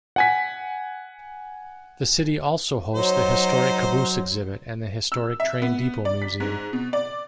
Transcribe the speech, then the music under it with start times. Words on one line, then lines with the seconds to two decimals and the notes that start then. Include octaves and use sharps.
The city also hosts the Historic Caboose exhibit and the Historic Train Depot museum.
0.16 F#5 G#5 B6
2.95 F#3 D#4 C5
5.12 E6
5.40 E5
5.62 B3
6.05 D5
6.22 B6
6.40 G#2
6.73 B2
6.93 D5